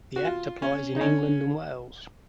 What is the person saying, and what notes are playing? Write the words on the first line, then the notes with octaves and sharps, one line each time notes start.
The Act applies in England and Wales.
F#4
F4
C#4
D#4
C#4